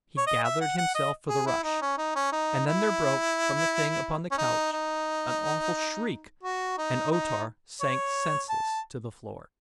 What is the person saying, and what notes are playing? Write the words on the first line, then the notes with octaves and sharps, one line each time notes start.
He gathered himself for the rush--and then there broke from the thing upon the couch an awful shriek, and O-Tar sank senseless to the floor.
C#5
D#5
E5
F#5
F#5
D#5
G#4
E4
D#4
C#4
D#4
C#4
D#4
E4
C#4
D#4
D#4
F#4
D#4
D#4
C#5
A5